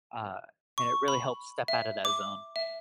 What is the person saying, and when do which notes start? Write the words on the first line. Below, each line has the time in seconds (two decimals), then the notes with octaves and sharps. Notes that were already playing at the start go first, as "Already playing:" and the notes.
Uh, and it really helps step out of that zone.
0.78 C#6
1.08 B5
1.68 E5
2.05 D6
2.56 E5